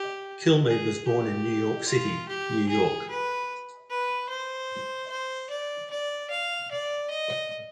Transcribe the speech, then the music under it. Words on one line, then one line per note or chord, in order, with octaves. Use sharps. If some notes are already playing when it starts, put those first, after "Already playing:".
Kilmeade was born in New York City, New York.
Already playing: G4
G#4
G4
F4
G4
G#4
B4
B4
C5
C5
D5
D5
F5
D5
D#5